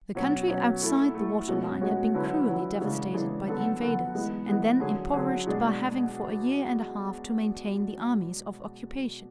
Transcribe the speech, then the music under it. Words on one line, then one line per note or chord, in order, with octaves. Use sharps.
The country outside the water-line had been cruelly devastated by the invaders, and then impoverished by having for a year and a half to maintain the armies of occupation.
B2 F#3 C#4
B2 F#3 C#4
A3 E4 A4
A3 E4 A4
B2 G#3 C#4 F#4
B2 G#3 C#4 F#4
D3 F#3 C#4 E4 B4
D3 F#3 C#4 E4 B4
C#3 E3 G#3 D4
C#3 E3 G#3 D4
D3 F#3 B3 F#4 A4
D3 F#3 B3 F#4 A4
E3 G#3 B3
E3 G#3 B3
D3 F#3 C#4 G#4
D3 F#3 C#4 G#4
B2 G#3 D4 G#4